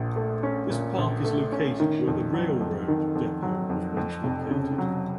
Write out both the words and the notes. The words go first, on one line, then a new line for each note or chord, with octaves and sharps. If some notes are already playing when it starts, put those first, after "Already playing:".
This park is located where the railroad depot was once located.
Already playing: A#1 A#2
A3
C#4
A#2
A#1
A3
C#4
D#3
F2
F#3
F2
D#3
F2
F#3
F2
F2
F1
C#3
F#3